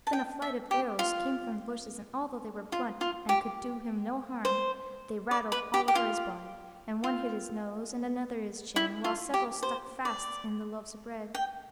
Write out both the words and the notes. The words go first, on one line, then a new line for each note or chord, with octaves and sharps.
Then a flight of arrows came from the bushes, and although they were blunt and could do him no harm they rattled all over his body; and one hit his nose, and another his chin, while several stuck fast in the loaves of bread.
A5
G5
E5
G4
F4
F4
F4
G4
C5
D5
B4
G4
G4
F4
F4
E4
F4
G4
C5
D5
G5